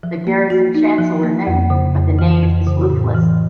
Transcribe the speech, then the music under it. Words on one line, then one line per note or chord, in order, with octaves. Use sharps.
The Garrison Chancel remains, but the Nave is roofless.
F3
A#3
F#4
D#4
F3
A#3
F2
C#3
F2
E3
F2
C#3
A2
E3